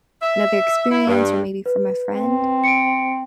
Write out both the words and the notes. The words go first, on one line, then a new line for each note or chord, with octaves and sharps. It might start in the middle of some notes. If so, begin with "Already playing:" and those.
another experience or maybe from a friend?
E5
E4
G2
B4
C4
C#7 D7